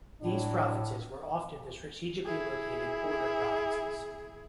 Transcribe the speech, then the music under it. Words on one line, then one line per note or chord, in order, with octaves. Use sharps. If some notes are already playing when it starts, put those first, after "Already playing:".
These provinces were often the strategically located border provinces.
A2 F#3 D4
E4 G#4